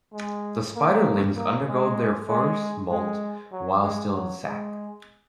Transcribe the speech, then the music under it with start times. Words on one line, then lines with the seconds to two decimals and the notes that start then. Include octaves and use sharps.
The spiderlings undergo their first molt while still in the sac.
0.13 G#3
0.76 A#3
1.37 A#3
1.68 G#3
2.29 G#3
2.90 G#3
3.52 F#3
3.82 G#3
4.13 F#3
4.44 G#3